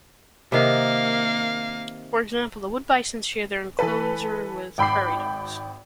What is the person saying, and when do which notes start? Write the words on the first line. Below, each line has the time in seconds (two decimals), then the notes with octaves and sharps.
For example, the wood bisons share their enclosure with prairie dogs.
0.52 C3 D#3 A#3 F5
3.79 E3 A4 B4
4.78 G#1 G5 B5 D6 C7